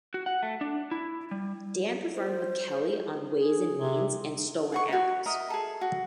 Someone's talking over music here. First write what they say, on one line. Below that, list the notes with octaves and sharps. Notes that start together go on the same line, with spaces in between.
Dan performed with Kelly on "Ways and Means" and "Stolen Apples".
F#4
F#5
A3
D4
E4
G3
C5
G#4
C3
G#4 F#5 C#6
D#4 F#4
A#4 D#5 E5
G#4 A4
F#4